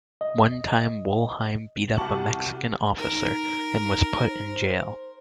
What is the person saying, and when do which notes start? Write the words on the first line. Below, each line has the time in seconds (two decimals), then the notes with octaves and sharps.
One time Wolheim beat up a Mexican officer and was put in jail.
0.21 D#5
1.97 C2 F#4 G4 A5 C#6 F#7
2.99 D#4 A#4
4.31 C5